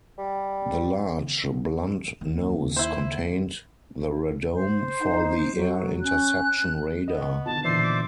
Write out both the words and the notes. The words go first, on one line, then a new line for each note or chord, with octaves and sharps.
The large, blunt nose contained the radome for the air-interception radar.
G3
D#2
E4 C5
C5
D#4
F#3
C#4 F#6
B3 D#5
C#6
B2 D3 D#3 A5
A#2 E3 C5 D5 E5 C7
D6